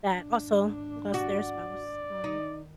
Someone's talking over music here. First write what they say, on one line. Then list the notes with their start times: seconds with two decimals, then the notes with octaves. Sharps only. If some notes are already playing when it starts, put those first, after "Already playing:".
that also lost their spouse, um
0.11 G#1 D4
1.14 F#4 D5
2.24 D#3 D#4